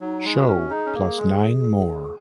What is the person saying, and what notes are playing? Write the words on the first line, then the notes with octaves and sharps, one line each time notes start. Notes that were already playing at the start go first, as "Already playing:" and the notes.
Show, Plus Nine More.
F#3 D#4
G#3
F#4
C#4
D#4 G#4
C#4
A#3
G#3